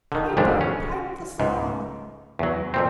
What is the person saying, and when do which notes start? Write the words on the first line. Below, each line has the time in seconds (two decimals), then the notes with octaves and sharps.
Piper, pipe the song!
0.12 D3 D#3
0.37 G#1 F2 G#2 C#3 D4
0.61 C#4
1.40 C#2 G#2
2.39 E2 F#3
2.74 F2 A#2 C4